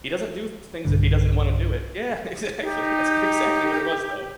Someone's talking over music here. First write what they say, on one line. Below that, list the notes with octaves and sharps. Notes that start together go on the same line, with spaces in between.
He doesn't do things if he doesn't wanna do it. Yeah. Exactly. That's p exactly what it was, though.
B1 G2 D3
D#4 G4